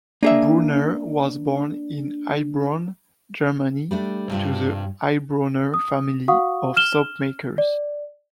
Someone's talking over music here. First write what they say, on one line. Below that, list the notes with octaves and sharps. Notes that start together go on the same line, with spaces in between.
Bronner was born in Heilbronn, Germany, to the Heilbronner family of soap makers.
A#3 D4 G#4 E5
G3 A3 D4
G2 C3 G3 F4
D#6
F#4 F5 F#5 C#6 D#6
F6 E7 G7
D5